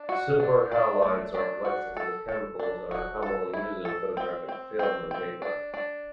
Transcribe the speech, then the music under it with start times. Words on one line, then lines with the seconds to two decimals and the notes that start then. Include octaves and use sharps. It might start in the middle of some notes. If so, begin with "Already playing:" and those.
Silver halides are light-sensitive chemicals, and are commonly used in photographic film and paper.
Already playing: D4
0.09 F#4
0.40 D4
0.72 D4
1.02 A3
1.34 D4
1.65 F#4
1.97 A4
2.29 A4
2.59 D4
2.91 F#4
3.22 A4
3.53 E4
3.85 A4
4.17 C4
4.49 C4
4.79 C4
5.11 C4
5.42 D4
5.74 D4